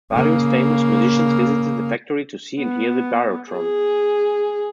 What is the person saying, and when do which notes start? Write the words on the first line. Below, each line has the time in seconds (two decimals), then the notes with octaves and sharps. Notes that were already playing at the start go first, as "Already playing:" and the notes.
Various famous musicians visited the factory to see and hear the Birotron.
0.11 C#3 A#3
2.60 B3
3.52 G#4